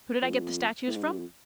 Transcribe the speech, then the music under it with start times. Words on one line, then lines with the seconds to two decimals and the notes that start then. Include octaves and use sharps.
Who did I get the statues from?
0.22 F2
0.33 F#2
0.42 F2
0.87 A2
0.95 G#2
1.03 G2
1.11 F#2
1.19 F2